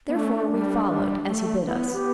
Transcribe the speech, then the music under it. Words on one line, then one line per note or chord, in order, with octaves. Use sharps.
Therefore, we followed, as he bid us.
B3
A3 D4
C#4
D4
G3
G3
A3
D4
B3 E4
G4